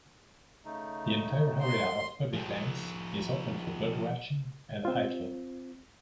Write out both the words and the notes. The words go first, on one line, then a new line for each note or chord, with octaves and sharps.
The entire area of public lands is open for birdwatching and hiking.
C#3 A3 D#4
C6
F3 G#4
C4 F4